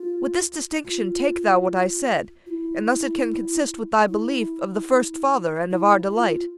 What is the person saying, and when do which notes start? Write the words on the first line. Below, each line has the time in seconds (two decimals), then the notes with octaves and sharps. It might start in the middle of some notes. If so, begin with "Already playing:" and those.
With this distinction take thou what I said, And thus it can consist with thy belief Of the first father and of our Delight.
Already playing: F4
0.85 F4
2.46 F4
2.50 E4
4.08 E4
5.71 E4
6.11 F4